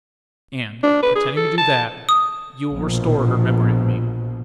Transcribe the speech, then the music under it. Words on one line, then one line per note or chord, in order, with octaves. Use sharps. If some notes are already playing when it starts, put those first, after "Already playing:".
"And, pretending to do that, you will restore her memory of me."
D4
B4
G#4
A4
A5
D#6
A#1 B2 F3